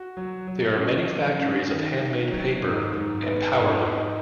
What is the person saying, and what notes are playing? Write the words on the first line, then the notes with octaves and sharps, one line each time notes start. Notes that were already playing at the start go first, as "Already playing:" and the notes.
There are many factories of Handmade paper.. and powerloo.
Already playing: F#4
F#3
F#3
C#4
F#3
C#4
D#3
D#3
F#3
G#2
G#2
B3
G#2
D#4